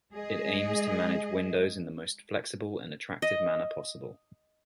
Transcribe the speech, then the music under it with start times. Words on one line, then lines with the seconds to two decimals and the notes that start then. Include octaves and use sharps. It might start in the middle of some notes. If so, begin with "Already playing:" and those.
It aims to manage windows in the most flexible and attractive manner possible.
0.13 G#3 G#4 D#5
3.22 D#5